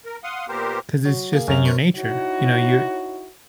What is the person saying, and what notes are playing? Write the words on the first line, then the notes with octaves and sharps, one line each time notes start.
'Cause it's just in your nature, you know, you're
A#4
F5 F#5 C6 D#6
A#2 B3 G4 A#4 C5
F#3
A#3 G#4
F#2 F7
C#4 A#4 C5
D#4 E4 F#4 C#5